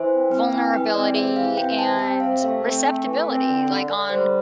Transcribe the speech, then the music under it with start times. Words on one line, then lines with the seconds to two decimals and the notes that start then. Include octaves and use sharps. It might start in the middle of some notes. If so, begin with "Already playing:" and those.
vulnerability and receptibility, like, on
Already playing: E3 C5
0.11 C4
0.31 C4 B4
0.52 E3
0.73 E3 B4
0.94 C4 D5
1.15 C3 E5
1.36 E3 F5
1.57 C4 G5
1.79 C3 A5
1.99 C4 G5
2.20 C3 F5
2.41 A3 E5
2.63 C4
2.83 A3
3.05 E3
3.26 C4
3.48 D3
3.69 D3
3.89 D3
4.10 G3 C5